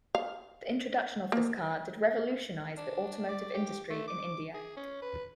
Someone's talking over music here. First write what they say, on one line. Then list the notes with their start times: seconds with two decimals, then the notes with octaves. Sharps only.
The introduction of this car did revolutionize the automotive industry in India.
0.15 F5
1.32 A#3
2.78 D4
3.29 D5
3.54 G4
3.90 A3
4.08 D6
4.55 G#4
4.77 C#4
5.02 B4